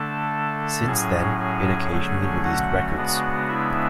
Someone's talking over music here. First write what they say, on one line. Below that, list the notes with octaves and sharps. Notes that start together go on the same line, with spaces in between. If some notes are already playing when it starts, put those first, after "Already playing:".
Since then, it occasionally released records.
Already playing: D3 A3 D4 A4 A5
A2 F#3 C#4 G#4 G#5
G#4 G#5
D3 F#3 A3 C#4
F#4 F#5
C#3 G#3 B3 D4
E4 E5